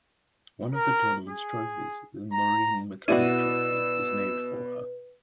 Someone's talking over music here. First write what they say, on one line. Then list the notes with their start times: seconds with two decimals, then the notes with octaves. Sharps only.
One of the tournament's trophies, the Maureen McTeer Trophy, is named for her.
0.74 A#4
1.29 G#4
2.32 A#5
3.08 B2 E4 F#4 B4 D5 E6 D#7